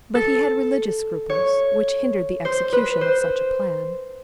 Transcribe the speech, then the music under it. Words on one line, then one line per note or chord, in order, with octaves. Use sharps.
But he had religious scruples, which hindered the execution of such a plan.
A4
C#5
C5
B4
C5